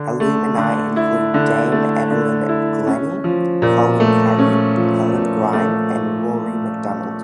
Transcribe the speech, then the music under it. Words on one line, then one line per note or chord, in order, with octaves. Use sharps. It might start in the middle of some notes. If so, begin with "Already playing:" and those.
Alumni include Dame Evelyn Glennie, Colin Currie, Helen Grime and Rory Macdonald.
Already playing: D3
A3
D3
E4
D3
A3
D3
E4
C#4
F3
A#2
A3
C#4
F3
A#2
A3